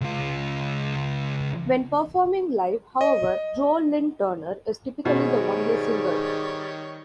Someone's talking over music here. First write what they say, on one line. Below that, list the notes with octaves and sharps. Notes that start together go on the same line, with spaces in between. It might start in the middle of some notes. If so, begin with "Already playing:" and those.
When performing live, however, Joe Lynn Turner is typically the only singer.
C#2 F4
D#5
G#2 B2 D#3 G3 C#5